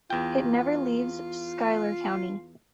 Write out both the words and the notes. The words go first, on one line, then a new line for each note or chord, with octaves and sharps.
It never leaves Schuyler County.
E2 F4 G5